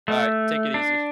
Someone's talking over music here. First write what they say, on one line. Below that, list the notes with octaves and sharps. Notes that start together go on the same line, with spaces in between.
Alright, take it easy.
A3
D4